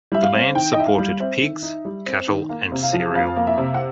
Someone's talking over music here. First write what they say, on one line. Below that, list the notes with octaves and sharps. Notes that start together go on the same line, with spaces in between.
The land supported pigs, cattle and cereal.
G3 E5
F5
C4
D#3 G5
D#5
D#4 E5
F5
G3
C4 E5
D#3
D#4
G3
C4
D#3
A#3 F5
C3
F5
F3
F2 F5
A#3
E5
C3
F#5